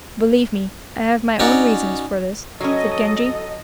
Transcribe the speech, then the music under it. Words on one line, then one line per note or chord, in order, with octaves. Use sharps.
"Believe me, I have my own reasons for this," said Genji.
C#4 D#4 F#4 D5
F#3 C#4 A4 D#5